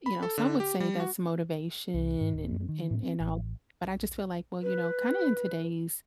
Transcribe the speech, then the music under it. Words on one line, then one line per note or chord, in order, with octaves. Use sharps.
you know, some would say that's motivation and and and all, but I just feel like, well, you know, kinda in today's
B5
A4
D3
G4
G3
F#4
C2
G#2
D1
F#2
D#3
A2
C4
A1
B4